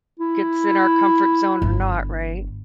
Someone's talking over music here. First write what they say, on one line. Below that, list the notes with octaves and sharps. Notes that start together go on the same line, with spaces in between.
gets in our comfort zone or not, right?
E4
G1